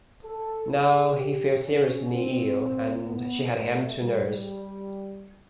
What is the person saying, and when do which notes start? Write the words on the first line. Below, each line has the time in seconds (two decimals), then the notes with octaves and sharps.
Now he fell seriously ill, and she had him to nurse.
0.24 A4
0.71 G#4
1.17 G4
1.64 C#4
2.12 C4
3.06 B3
3.53 A3
4.01 G3